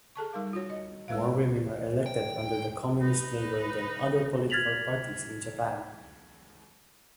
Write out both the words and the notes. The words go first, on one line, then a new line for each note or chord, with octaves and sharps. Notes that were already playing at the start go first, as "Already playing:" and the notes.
More women are elected under the Communist label than other political parties in Japan.
G#4 A4 A5 C#6
G3 D#4 A#4 F5 D6
F4 F#4 C#5
D#5
G#3 A4 B4 E5 F5
G5
D#4 B4
F6 G#6 A6 B6 F7 F#7